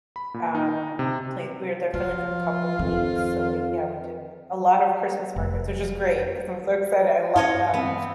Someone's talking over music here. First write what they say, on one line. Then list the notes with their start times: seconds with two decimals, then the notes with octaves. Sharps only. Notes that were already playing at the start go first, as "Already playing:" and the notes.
um, pla we were there for, like, a couple weeks, so we yeah, we did a lot of Christmas markets, which is great, 'cause I'm so excited, I love them,
0.16 B5
0.34 A#2
0.55 D#4
0.99 C3
1.94 F3 F4
2.79 F2 D#3
5.36 F1
7.36 G2 C#4 E4 F4 C#5 D#5
7.74 E3 G#3 B3 C4